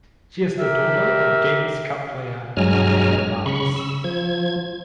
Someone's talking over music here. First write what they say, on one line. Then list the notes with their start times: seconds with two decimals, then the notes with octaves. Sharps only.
She is the daughter of Davis Cup player Mario Llamas.
0.59 G4 A#4 E5
2.57 G2 F#3 G#3 G#5 A#5 F6
3.46 C#3 B5 C#6
3.76 E6
4.04 F3 G#6